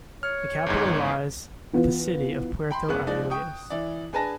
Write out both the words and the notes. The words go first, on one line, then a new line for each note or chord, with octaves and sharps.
The capital lies at the city of Puerto Armuelles.
C#5 F6
G1 E2 G#2
E3 B3 F4
G5 B5 C6
F#1 C#3 B3 G#4 F#6
D#2 F3 G#3 D#4 D5
G5 C#6 D#6
E3 E4 D5
D4 G#4 B4 G#5 A5 A#6